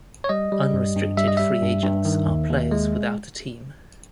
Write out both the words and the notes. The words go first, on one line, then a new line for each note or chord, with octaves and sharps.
Unrestricted free agents are players without a team.
C#5
G3 D#5
G3
G2
G2
G3 E5
D#5
G3 E5
G2
G2
D#3
D#2
D#2
G#3